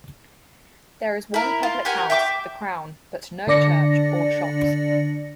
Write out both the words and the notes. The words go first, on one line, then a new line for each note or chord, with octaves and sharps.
There is one public house, the Crown, but no church or shops.
E4 A#4
F4
G4 A#4 F#5 G#5
E5 G5 C#6 D6
D3 D4 D5 A#6 C#7